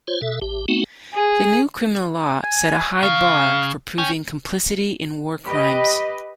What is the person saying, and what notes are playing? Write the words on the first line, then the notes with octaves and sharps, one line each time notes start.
The new criminal law set a high bar for proving complicity in war crimes.
F4 C5 C#5
B2 A4 E5
A1 G4
A3 B3 C4 D#4 F#4
G#4
G#5
C#3 F5
C#4 G5
G4 B4 D#5